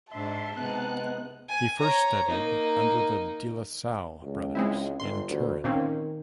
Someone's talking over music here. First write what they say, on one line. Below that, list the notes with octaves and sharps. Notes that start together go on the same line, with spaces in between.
He first studied under the De La Salle Brothers in Turin.
G#2 D4 E5 A5 C6
C3 G#3 B3 D#4 F#6
G#5
C#5 A#5
A#3 D#4
C#2
G#3 C4 E4
G1 C6
D2
A#2 D#3 C4 C#4